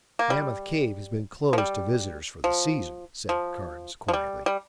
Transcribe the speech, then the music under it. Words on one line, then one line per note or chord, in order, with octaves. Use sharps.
"Mammoth Cave has been closed to visitors for the season," said Carnes quietly.
A#3
G3
F3
G3
F3
F3
F3
G3
G3